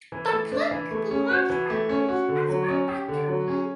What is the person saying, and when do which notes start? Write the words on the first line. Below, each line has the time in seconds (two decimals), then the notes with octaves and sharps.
The plane could be launched by winch as well by airplane.
0.12 E3
0.31 A3
0.52 D4
0.71 E3
0.91 A3
1.11 C#4
1.30 F#4
1.50 E3
1.70 A3
1.89 C#4
2.09 F#4
2.28 D3
2.49 F#3
2.69 C#4
2.88 G4
3.08 D3
3.28 F#3
3.48 C#4